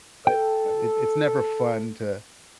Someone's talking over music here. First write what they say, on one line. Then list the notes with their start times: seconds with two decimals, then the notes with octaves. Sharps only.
But, no, it's it's never fun to
0.27 A4 G5